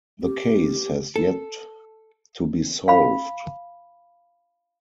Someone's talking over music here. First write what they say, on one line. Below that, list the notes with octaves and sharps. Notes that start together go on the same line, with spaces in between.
The case has yet to be solved.
G4
A4
F5 B5